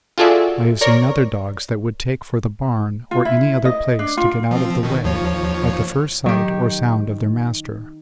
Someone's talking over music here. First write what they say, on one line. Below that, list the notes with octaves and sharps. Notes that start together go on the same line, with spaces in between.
I have seen other dogs that would take for the barn or any other place to get out of the way at the first sight or sound of their master.
F4 F#4 G#4 A4 D5 E5
A#4 C#5 D5
F4
E4
D#5
D4
F4
F3 C4
B2 D#3
D#2 F3 C#5
D#3 F#3 G4